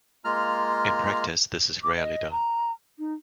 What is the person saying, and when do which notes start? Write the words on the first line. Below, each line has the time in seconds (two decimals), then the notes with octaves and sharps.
In practice, this is rarely done.
0.25 G#3 A#3 F4 A#5 F6
1.83 D6
1.97 D#5
2.31 A#5
2.99 D#4